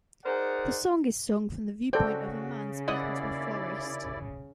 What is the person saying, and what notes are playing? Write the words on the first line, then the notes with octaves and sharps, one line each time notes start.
The song is sung from the viewpoint of a man speaking to a florist.
D#4 G#4 A#4 C5 D5 F#5
C#3 F#4 A4 C5 D5 G5
D#2 E4 B4 D5 D#5 F#5